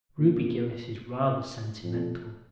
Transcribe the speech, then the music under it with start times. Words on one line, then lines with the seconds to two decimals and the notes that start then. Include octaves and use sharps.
Ruby Gillis is rather sentimental.
0.18 A#2
1.83 F2